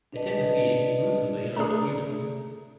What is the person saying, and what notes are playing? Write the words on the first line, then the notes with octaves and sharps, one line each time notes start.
They tend to feed exclusively on humans.
D4 B4 D5 D#5 A5
A3 D4 G#4 A#5